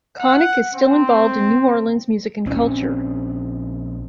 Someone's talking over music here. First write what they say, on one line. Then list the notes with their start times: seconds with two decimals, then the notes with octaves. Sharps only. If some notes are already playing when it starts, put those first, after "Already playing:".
Connick is still involved in New Orleans music and culture.
0.18 F#5
0.73 C4
2.46 A#1 C4 C#4